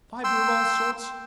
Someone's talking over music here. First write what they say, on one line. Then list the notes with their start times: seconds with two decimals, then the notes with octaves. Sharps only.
Fibre of all sorts.
0.24 G5 C6 E6